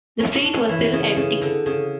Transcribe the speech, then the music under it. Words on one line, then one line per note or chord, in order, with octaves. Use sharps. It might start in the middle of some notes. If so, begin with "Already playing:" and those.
The street was still empty.
C#4
D4
C#4
E3
C#3
C#3
D3
C#3